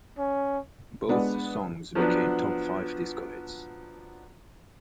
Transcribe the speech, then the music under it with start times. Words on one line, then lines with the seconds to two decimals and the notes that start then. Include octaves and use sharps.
Both songs became top five disco hits.
0.18 C#4
1.09 G#3 B3 D4 D5 F#5
1.95 F3 F#3 B3 D4